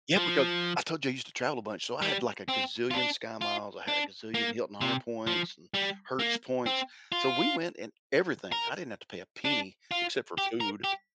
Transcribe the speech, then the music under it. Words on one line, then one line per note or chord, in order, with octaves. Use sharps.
Yeah, because I told you I used to travel a bunch, so I had, like, a gazillion SkyMiles, I had a gazillion Hilton Honor points and Hertz points. So we went and everything. I didn't have to pay a penny except for food,
F3
G3
C4
F4
D4
F4
D4
A#3
C3
F3
G3
A#3
C4
F4
A#4
D4
F4
G4
A#4
G4